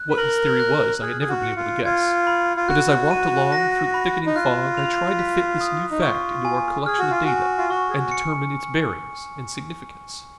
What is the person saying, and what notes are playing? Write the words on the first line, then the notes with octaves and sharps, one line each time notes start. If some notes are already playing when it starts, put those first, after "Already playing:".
What his theory was I had never been able to guess, but as I walked along through the thickening fog I tried to fit this new fact into our collection of data and determine its bearings and significance.
Already playing: F#6
B4
A#4 F#7
F#6
G#4 F6
G#4
F#4
C#7
F4
F4 G#6
B5
F4
F#4 F#6
D#7
A#6
B5
D#4
F4 F#6
F7
B6
D#6
D#4
F4 C#6
G#5
G#4 F6
F#4
F4
F#4 G#5
F4
F#4 C#6
G#4
F#4
C#7